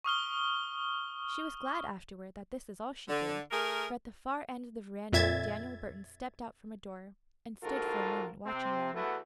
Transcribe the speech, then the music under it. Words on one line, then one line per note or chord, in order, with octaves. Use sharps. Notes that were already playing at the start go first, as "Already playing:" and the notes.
She was glad, afterward, that this was all she did, for at the far end of the veranda Daniel Burton stepped out from a door, and stood for a moment watching them.
C#6 D#6 F6 G7
D3
A3 G#4 A#4
F2 A#2 E5 G#6 A6
A#1 G#2 F4 F#4 A4 A#4
C3 C4
E2 A3 B3 E4 F#4